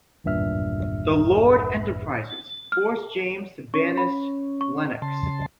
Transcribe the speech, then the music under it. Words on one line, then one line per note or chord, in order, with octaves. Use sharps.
The Lord Enterprisers forced James to banish Lennox.
G#1 E2 G2 A#2 E5 F6
F6
C#4 C#6
B5
C#6
C#3 A5 C6